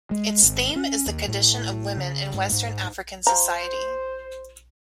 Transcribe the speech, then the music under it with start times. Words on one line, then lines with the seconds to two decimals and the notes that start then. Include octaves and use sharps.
Its theme is the condition of women in Western African society.
0.11 G#3
0.43 G#1
0.76 C#4
1.07 D#2
1.28 A2
1.97 C#3
2.34 G#2
2.52 G#2
3.27 F3 C5 A#5